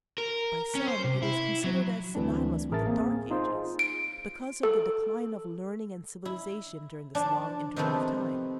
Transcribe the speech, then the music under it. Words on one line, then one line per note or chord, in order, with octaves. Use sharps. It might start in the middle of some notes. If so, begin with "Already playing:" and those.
By some it is considered as synonymous with the Dark Ages, because of the decline of learning and civilization during this long interval of time.
A#4
C#4
C5
C3
E4
F#3
D2 E3 G3 C4 D4
A1 G#4 A#4 E5 A5 A6
A#3 C4 G#4
D#4 F4 G#4 C5
D7
A4
E4
F3 D4 A5
C3 D#3 F3 A3 B3 C4